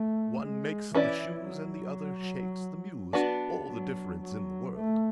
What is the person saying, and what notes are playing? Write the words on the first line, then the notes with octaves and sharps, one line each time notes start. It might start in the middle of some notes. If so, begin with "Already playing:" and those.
One makes the shoes and the other shakes the muse--all the difference in the world.
Already playing: A3
G#3
E3 C#4 E4 B4 D5
F#3
B3 D4 F#4 B4
F#3
F#3
A3